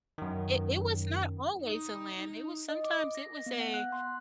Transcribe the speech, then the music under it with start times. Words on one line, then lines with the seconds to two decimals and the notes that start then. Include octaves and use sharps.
It it was not always a lamb, it was sometimes it was a
0.18 F#2 D#3
1.63 D#4
2.69 D#5
2.84 D6
3.15 A#6
3.46 B3
3.60 F#5
3.74 F#6
3.92 C6